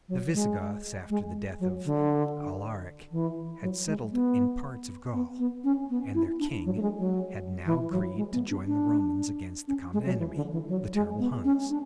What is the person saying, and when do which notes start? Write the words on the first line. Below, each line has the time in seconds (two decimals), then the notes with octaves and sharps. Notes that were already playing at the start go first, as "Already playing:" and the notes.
The Visigoths after the death of Alaric had settled in parts of Gaul, and their king had now agreed to join the Romans against the common enemy--the terrible Huns.
0.09 F#3
0.34 G#3
1.10 G#3
1.60 F#3
1.85 D3
3.11 E3
3.62 F#3
3.86 G#3
4.13 B3
5.13 B3
5.39 B3
5.64 C#4
5.89 B3
6.15 E4
6.39 D4
6.65 F#3
6.76 A3
6.82 G#3
6.98 F#3
7.66 E3
7.91 F#3
8.16 G#3
8.33 B3
8.50 D4
8.67 D4
9.68 C#4
9.93 G#3
10.05 F#3
10.18 E3
10.35 D3
10.52 E3
10.69 F#3
10.94 G#3
11.19 B3
11.45 C#4
11.70 D4